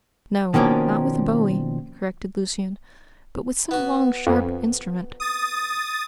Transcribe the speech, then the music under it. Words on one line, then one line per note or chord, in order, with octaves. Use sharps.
"No, not with a bowie," corrected Lucian, "but with some long, sharp instrument."
B2 D#3 F3 A#3 C#4 D4
B3 F#4
F2
D#6 A6